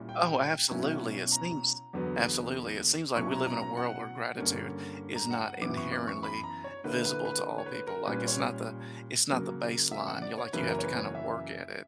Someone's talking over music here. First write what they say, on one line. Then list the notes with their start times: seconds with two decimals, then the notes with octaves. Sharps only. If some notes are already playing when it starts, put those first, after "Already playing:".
Oh, absolutely. It seems absolutely, it seems like we live in a world where gratitude is not inherently visible to all people. Like, it's not the it's not the baseline. You like you have to kinda work it at,
Already playing: A#2 G3 C#4 E4
0.09 G5
0.71 B2 F#3 C#4 E4
1.32 A#5
1.93 E2 D3 F#3 B3
3.16 B2 F#3 C#4 E4 C#6
3.31 A#5
3.47 A#5
3.62 A#5
3.77 F#5
4.38 G2 D3 A#3 C#4
5.15 A#5
5.31 F#5
5.46 F#5
5.61 F#2 E3 B3 E4 D6
5.77 C#6
5.92 D6
6.08 C#6
6.23 B5
6.43 A#5
6.64 C#5
6.84 D3 A#3 E4 B4
7.05 B4
7.25 B4
7.58 C#5
7.66 B4
7.87 A#4
8.07 A#2 G3 C#4 B4
8.28 C#5
9.30 C#3 F#3 A#3
9.91 E5
10.07 F#5
10.22 D5
10.38 C#5
10.53 F#2 C#3 E3 A#3 E4 B4
10.68 A#4
10.79 C#5
10.84 B4
10.99 C#5
11.15 E5